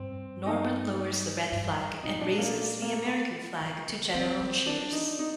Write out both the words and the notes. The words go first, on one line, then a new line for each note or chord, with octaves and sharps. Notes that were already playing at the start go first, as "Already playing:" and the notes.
Norman lowers the Red flag and raises the American flag to general cheers.
Already playing: G2 C4
D#4
G2
A#2 D#4
D4
A#3
A#3
D3
D3
D#3 C4
D#3
D4
D#4
D#4